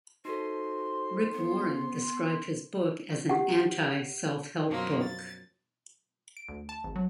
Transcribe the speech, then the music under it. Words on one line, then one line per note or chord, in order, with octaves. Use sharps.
Rick Warren described his book as an anti-self-help book.
D#4 F#4 A4 C5 C6
B3
G4 F#5
F#2 B2 F3 F#3 A#3 C6
A6
D7
D2
A5
G#1
F#3